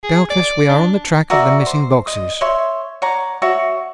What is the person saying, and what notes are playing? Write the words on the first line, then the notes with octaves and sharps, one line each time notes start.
Doubtless we are on the track of the missing boxes.
G#4
D5
D4
F#4 A#4 D5 E5
C5
D#5
C#5 E5 C6 C#6
C#5 F#5 A#5 D6
F#4 C#5 E5